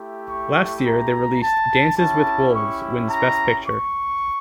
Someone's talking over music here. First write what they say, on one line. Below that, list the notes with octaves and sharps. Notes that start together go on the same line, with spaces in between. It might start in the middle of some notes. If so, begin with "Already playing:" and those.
Last year, they released "Dances with Wolves" wins Best Picture.
Already playing: A3 E4 G4
C#6
A#5
A5
C#4 E4 G4 A5
C#6
A#5
C#6